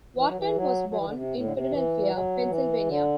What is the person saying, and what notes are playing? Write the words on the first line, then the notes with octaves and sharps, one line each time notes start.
Wharton was born in Philadelphia, Pennsylvania.
E3
F#3
E3
F#3
F#3
E3
D3
C3
A2
D3
C3
E3
G3
F#3
E3
D3